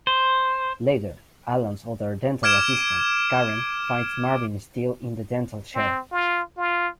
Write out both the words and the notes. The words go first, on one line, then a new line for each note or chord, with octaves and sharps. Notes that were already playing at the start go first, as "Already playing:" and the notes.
Later, Alan's other dental assistant, Karen, finds Marvin still in the dental chair.
C5
D6 F6 G#6 D7 E7
C4
F4
F4